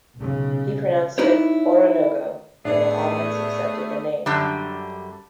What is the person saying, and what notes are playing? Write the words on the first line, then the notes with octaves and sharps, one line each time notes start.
He pronounced it "Oronogo" and the audience accepted the name.
B1 C#3
D#4 E4 G4 B4 C#5
A2 A3 B3 D4 G#4 E5 C7
F#2 D3 G3